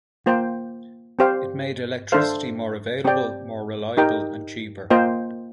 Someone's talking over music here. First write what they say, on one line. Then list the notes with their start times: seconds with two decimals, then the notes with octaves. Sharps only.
It made electricity more available, more reliable and cheaper.
0.26 A#3 F4 C5 G5
1.19 C4 G4 C5 F5
2.12 D4 A4 C5 F5
3.05 C4 G4 D5 G5
3.97 D#4 G4 A#4 D#5 G5
4.90 A#3 F4 C5 D#5 G5